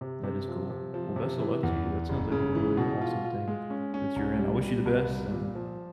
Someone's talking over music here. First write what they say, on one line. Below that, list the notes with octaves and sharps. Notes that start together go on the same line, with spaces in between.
That is cool, well, best a luck to you, that sounds like a really awesome thing that you're in, I wish you the best, and
C3
C3
F3
C3
F3
C3
E3
E2
E3
F#1
C#3
E3
B2
F4
F4
G#3
C#4
C#4
C2
G3
G3
C2
G3
A#2
F3